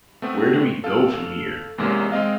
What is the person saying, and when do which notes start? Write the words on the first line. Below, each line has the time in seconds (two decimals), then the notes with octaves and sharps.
Where Do We Go from Here?
0.22 A3 B3 C4
0.84 A4 F5
1.78 E2 G#2 C3 G#3 A#3 C#4
2.12 G#3 C4 D#5 F5